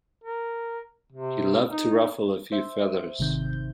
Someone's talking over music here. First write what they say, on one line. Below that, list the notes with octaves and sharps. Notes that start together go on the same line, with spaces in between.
He loved to ruffle a few feathers.
A#4
C3
D#4
C5 E5
G#1 C3 D#3 G6